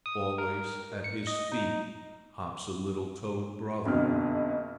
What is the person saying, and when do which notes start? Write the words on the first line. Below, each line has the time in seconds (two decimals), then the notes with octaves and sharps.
Always at his feet hops a little toad brother.
0.06 D#6
0.38 A#4
1.04 C#7
1.27 D#5
1.52 D#4
3.85 F#1 F2 B2 D3 F6